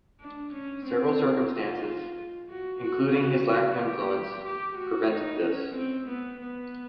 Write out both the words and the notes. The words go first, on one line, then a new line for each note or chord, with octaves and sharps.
Several circumstances, including his lack of influence, prevented this.
D4
C#4
C4
F4
F#4
F#4
F#4
F#4
G4
G4
F#4
D#4
C#4
C4
B3
B3